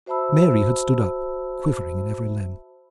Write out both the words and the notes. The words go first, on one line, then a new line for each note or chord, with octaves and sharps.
Mary had stood up, quivering in every limb.
F#4 C5 E5 A5 B5 E6